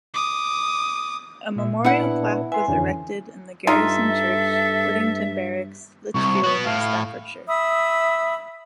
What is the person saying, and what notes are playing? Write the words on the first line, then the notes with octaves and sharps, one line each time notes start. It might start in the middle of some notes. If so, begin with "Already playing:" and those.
A memorial plaque was erected in the Garrison Church, Whittington Barracks, Lichfield, Staffordshire.
D6 D#6
A#2 E5
B3 D4 E4 F#5
B4 E5 G#5 C6
F2 D3 E3 C#4
G2 D#4 F4 A4 E5
C2 C#6
B3 F#4
A2 F5
E5 B5 D#6 E6